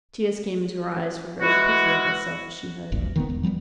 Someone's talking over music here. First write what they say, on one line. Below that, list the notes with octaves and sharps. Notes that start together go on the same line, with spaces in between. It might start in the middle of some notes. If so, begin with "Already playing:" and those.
Tears came into her eyes for very pity of herself as she heard him.
E3 G#3 E4 F#4
E1 A#1 A#2
D#3 G#3 B3
E1 E2
F3 G3 A3 B3